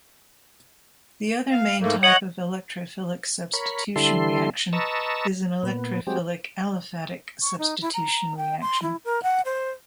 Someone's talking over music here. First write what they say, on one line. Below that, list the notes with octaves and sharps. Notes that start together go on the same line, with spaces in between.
The other main type of electrophilic substitution reaction is an electrophilic aliphatic substitution reaction.
F5
G#2 A3 A#3
C#5 D#5 F#5 C#7 F#7
A#4 C#5 B5
D3 G3 E4 A4 C6
B4 D#5 A5 A#5 C#6 E6
A#2 B3
F#3 G#3 C4 G4
C#6
D#4
E4
A#5
G5
C6
E4
A#4
F#5
C5